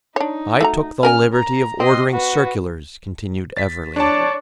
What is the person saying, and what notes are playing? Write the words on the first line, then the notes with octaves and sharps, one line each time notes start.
"I took the liberty of ordering circulars," continued Everley.
D4 D#4 C#5
A3 F#4 A#5
C#4 A#4 G#5 F6
A#5
C4 D#5 C6
F#4 B4
A6 B6
D4 C#5 D5 A5